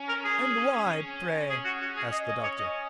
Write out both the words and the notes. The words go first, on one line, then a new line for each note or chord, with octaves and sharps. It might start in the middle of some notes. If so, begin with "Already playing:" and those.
"And why, pray?" asked the Doctor.
Already playing: C#4
A#4
G#4
C#4
G#4
F#4
F#4
G#4
D#5
D#5
C#5
D#5